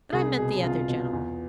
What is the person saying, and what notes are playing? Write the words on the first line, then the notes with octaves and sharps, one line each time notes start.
But I meant the other gentlemen.
C2 G#4
B2 G#4
C2 F4
B2
E2